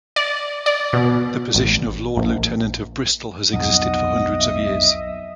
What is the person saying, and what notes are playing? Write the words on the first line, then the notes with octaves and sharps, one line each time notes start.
The position of Lord-Lieutenant of Bristol has existed for hundreds of years.
D5
D5
B2
A1
A#1
B1 F2 D#5 F#5
E5